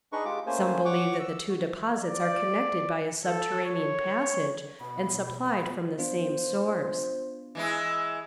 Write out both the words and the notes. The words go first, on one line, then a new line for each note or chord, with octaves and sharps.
Some believe that the two deposits are connected by a subterranean passage and supplied from the same source.
D4 D#4 G#4 B4 D#5 C#6
G#3 F4 G4 D6
A3 A#3 C#4 C5 G#5
C#5 F#5 C#6 D6
E6
F#4
D5
A4
C#5
B2 B5
B5
B3 D4 F4 C5
E3 G#3 E4